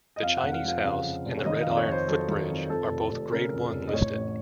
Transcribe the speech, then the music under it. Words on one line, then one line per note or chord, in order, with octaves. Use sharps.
The Chinese House and the red iron footbridge are both grade one listed.
D#5
F2 F5
F#5
F1
F5
F3 F5
C#3 F5
F2
F1
C#5
D#3 D#5
F5
F2
C#5
F2 C5
F#3 A4
D#3
F2
F2 A4
F1
F1
C#3 A#4
F2
F1
D#5
A2 C#5
A1